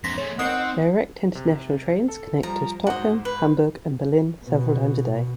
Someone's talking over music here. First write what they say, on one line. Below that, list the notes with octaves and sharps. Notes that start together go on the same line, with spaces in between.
Direct international trains connect to Stockholm, Hamburg and Berlin several times a day.
F2 D4 C6 A#6 B6
G#3 A3 C#5
C4 C#4 D#4 A#4 F#5 D#6 G#6 C7
C3
A4
F3 G3 A#5
G#2 F#4 C5 D#5
B4
B2